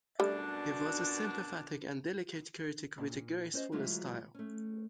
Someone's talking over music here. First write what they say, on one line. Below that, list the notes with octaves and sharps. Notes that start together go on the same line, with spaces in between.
He was a sympathetic and delicate critic, with a graceful style.
F#2 B2 G3 A3 D4
A#2
C#4 C5 D#5
D2 E3 F#3 G#3 E4 F4
A3 C#4